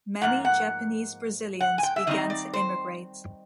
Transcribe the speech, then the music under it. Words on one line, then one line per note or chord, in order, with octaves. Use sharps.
Many Japanese Brazilians began to immigrate.
G#2 F3 A#3 F#5
F#5
F#5
G#5
G5
E5
D#3 G3 C4 D#4 D#5
D5
C5